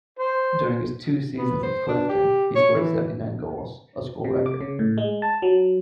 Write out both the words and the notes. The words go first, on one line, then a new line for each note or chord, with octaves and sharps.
During his two seasons at Clifton, he scored seventy-nine goals, a school record.
C5
B3
C5
D4
G4
C#5
E3
C3
D6
C#3
A2
G#3
A5
F#3